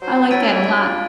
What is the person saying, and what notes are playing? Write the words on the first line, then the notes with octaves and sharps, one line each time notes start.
I like that a lot.
F#3 C5
C#4 E4 F#5 B5 A6 D7 D#7
D4
F4